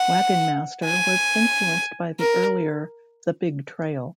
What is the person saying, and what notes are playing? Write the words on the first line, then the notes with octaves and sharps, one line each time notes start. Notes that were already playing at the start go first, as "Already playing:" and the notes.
"Wagon Master" was influenced by the earlier "The Big Trail".
Already playing: F#5
G#5
A#4